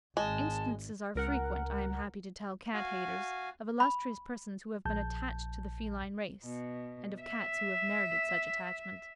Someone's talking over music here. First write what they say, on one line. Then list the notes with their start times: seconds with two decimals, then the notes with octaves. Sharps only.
Instances are frequent, I am happy to tell Cat-haters, of illustrious persons who have been attached to the feline race, and of Cats who have merited such attachment.
0.17 G#1 G#3 A5
1.15 C#2 A#4 F#5
2.74 F#4 F5 G#5
3.80 B5
4.85 A#1 A5 G6
6.44 B2
7.21 E5